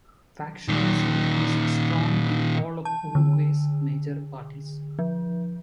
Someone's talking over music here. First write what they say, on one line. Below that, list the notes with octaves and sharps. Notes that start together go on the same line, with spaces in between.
Factionalism is strong in all of Uruguay's major parties.
A#2 D#3
A5
D3
F3